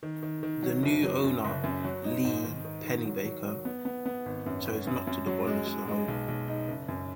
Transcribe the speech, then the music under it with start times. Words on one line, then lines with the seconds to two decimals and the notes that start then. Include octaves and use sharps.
The new owner, Lee Pennebaker, chose not to demolish the home.
0.03 D#3
0.23 D#3
0.43 D#3
0.63 F#3
0.83 F#1
1.03 F#3
1.24 F#2
1.44 F#1
1.64 F#2
1.84 F#3
2.04 D#4
2.25 G#2
2.44 D#3
2.65 D#3
2.84 D#3
3.05 F#3
3.25 F#3
3.45 F#3
3.65 B3
3.85 B3
4.06 B3
4.26 G#1
4.46 F#2
4.66 C#4
4.87 F#2
5.07 F#2
5.26 F#3
5.47 G#3
5.67 G#3
5.88 G#3
6.08 B1
6.28 B1
6.48 D#4
6.68 F#1
6.88 F#2